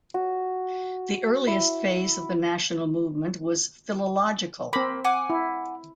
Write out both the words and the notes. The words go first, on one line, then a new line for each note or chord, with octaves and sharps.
The earliest phase of the national movement was philological.
F#4
E4
A#3 C4 B5
F#5 G#5 D6
E4